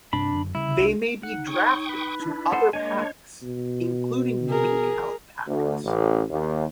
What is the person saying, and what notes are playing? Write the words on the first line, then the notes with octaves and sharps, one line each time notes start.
They may be drafted to other packs, including minkhound packs.
G2 C3 D4 B5
F#2 D3
C#3 G3 E4
C2 C4 D4
D#4 F#5
C#5 G5 C#6 D#6
B4
D4 E4
B3 A4 C5 F#5
G#3 A#3 D4 C#5 D#5 G#5
B2
G#4 A#4
D2
A1
D#2